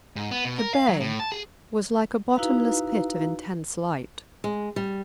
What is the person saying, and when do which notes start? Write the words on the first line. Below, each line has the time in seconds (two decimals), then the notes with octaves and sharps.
The bay was like a bottomless pit of intense light.
0.16 G#2
0.31 B3
0.45 B2
0.58 A#4
0.74 F5
0.88 F#3
1.00 A2
1.20 A5
1.32 G#4
2.35 D#4 E4 F#4 B4 F5 A#5
4.44 G#3
4.76 G3